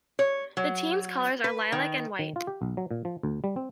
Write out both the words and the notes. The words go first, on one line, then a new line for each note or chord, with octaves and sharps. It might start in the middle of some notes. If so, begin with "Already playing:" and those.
The team's colours are lilac and white.
C#5
F#3
B4
D#3
D#3
F4
G4
B1
F#3
A#2
F3
D2
G3
C4